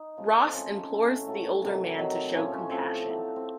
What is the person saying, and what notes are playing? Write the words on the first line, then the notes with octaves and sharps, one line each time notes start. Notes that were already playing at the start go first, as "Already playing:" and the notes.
Ross implores the older man to show compassion.
Already playing: D#4
C#3 F3 A3
C4
C#3 F3 A3 C#4
A2 F#3 A3
A2 F#3 A3
C3 D#3 F#3
C3 D#3 F#3
A2 F3 A3 C#4
C#4
A2 F3 A3 C4
A2 F#3 A3
C4